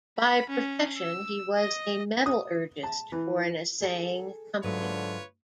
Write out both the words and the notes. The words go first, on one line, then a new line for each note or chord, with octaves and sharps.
By profession, he was a metallurgist for an assaying company.
B5
C#4
E6
D#5
D#6
A5
E3
G#4 A4
G#2 D3 F#3 A3 F4 B4 C#5